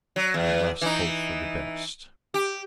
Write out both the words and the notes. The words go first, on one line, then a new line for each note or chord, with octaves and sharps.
"We must hope for the best."
F#3
E2
E3 D#4
G4